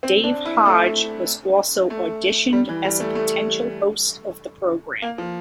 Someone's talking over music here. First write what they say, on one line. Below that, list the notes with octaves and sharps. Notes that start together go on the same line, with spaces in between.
Dave Hodge was also auditioned as a potential host of the program.
C4
D4
E4
A3
A3
G3
E3
G3
A3
A3
A#3
F3